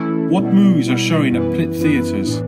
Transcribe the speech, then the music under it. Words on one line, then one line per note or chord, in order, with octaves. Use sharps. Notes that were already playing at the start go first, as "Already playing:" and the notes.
What movies are showing at Plitt Theatres.
Already playing: E3 A3 C#4 E4 A4
B2 G3 B3 E4
B2 G3 B3 E4
F#2 E3 B3 E4 B4
F#2 E3 B3 E4 B4
A2 E3 B3 D4